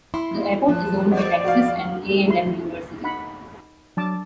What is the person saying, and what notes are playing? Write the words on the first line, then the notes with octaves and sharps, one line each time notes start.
The airport is owned by Texas A and M University.
E4 C6
F3 A5 F#6
C5 D5 D#5 F#5 D6
F#4 F5
E4 C6
D#4 F#5 B5
F#3 D4 A5 D6